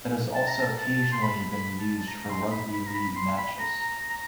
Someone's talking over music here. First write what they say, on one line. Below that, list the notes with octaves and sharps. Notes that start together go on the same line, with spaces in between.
It has also occasionally been used for rugby league matches.
A5
A#5
A5
A5
C6
B5
B5
A5
A5
A#5
C6
B5
B5
A#5
B5
C6
B5
A#5
A#5
A#5